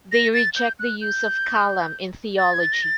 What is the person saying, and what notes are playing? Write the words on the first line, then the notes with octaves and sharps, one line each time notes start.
They reject the use of kalam in theology.
A#6
A6
G6
F#6
G6
A6
G#6
A6
A#6
A6